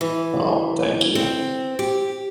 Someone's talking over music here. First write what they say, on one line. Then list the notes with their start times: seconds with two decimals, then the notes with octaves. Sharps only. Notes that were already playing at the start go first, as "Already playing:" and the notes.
Oh, thank you.
0.01 E3
1.15 C4
1.79 G4